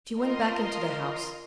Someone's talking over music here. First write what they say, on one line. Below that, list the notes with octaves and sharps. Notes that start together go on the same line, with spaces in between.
She went back into the house.
F4 A#4 D#5 C6